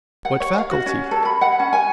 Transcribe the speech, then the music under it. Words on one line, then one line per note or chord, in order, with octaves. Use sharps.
What faculty?
F#5
C#5
F5
F#4
C#4
A4
B5
F#5
C#4
G#5